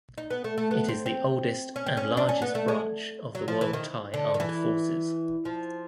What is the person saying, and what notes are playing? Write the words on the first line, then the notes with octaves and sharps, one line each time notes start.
It is the oldest and largest branch of the Royal Thai Armed Forces.
D#4
B3
A3
A3
B3
C4
C4
C#4
C4
C#4
D4
C#4
B3
A3
G#3
F#3
F3
E3
D#3
D3
D#3
E3
F3